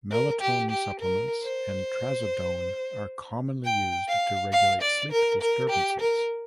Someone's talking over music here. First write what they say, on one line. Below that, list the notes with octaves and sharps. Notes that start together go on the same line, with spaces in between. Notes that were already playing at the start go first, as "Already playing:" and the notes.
Melatonin supplements and trazodone are commonly used to regulate sleep disturbances.
A#4
G4
G4
A#4
C5
G5
F5
F5
D5
A#4
A#4
G4
A#4